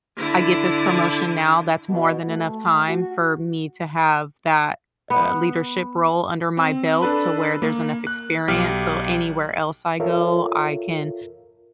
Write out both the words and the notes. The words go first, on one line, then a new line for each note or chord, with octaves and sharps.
I get this promotion now, that's more than enough time for me to have that, uh, leadership role under my belt to where there's enough experience, so anywhere else I go, I can
D3 E4
B2
A3
F#4
B3
C4
D4 A4 B4 B5
A#3
F#6
B1 G4 F6
F4 A4 A#4 C#5 E5 F5